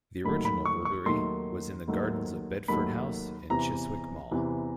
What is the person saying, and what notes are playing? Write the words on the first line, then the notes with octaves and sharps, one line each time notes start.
The original brewery was in the gardens of Bedford House in Chiswick Mall.
D#2 D#3 F#3 A3 B5
B5
C#6
C#6
D#2 D#3 F#3 A3 C6
D#2 D#3 F#3 A3
D#2 D#3 F#3 A3 B5
E2 C3 E3 A#5
E2 C3 E3